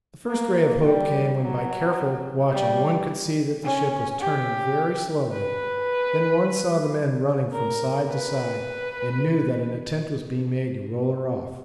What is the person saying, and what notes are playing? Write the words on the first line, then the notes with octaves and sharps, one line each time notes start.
The first ray of hope came when by careful watching one could see that the ship was turning very slowly, then one saw the men running from side to side and knew that an attempt was being made to roll her off.
A#3
G3
F#3
G3
C#4
G4
B4
A#4
B4